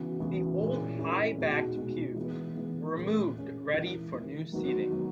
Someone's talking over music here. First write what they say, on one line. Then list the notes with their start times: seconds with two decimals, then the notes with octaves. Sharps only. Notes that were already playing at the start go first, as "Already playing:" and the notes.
The old high backed pews were removed ready for new seating.
Already playing: C#3 E3 B3 F#4
0.20 C#3 E3 B3 F#4
0.59 A#2 G#3 C#4 E4
0.99 A#2 G#3 C#4 E4
1.38 B2 G#3 D#4 F#4
1.77 B2 G#3 D#4 F#4
2.16 E3 G#3 B3
2.56 E3 G#3 B3
2.95 A#2 G#3 C#4
3.33 A#2 G#3 C#4
3.73 E3 A#3 E4
4.12 E3 A#3 E4
4.52 D#3 F#3 B3 D#4 F#4
4.91 D#3 F#3 B3 D#4 F#4